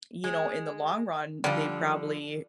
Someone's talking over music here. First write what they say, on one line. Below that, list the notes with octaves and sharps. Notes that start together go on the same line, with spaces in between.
you know, in the long run, they probably
G#3
D3 F3 G3